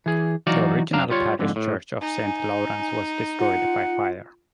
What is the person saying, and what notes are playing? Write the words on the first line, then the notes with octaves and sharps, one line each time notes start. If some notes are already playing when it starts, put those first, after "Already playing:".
The original parish church of Saint Lawrence was destroyed by fire.
E3 G#4
E3 F#3 D#4 F#4 D5 F5
F#2 D4 F5 A#5
G3 F4 C#5
F2 G#2 D3
A2
D#4 G#5
F4 F#5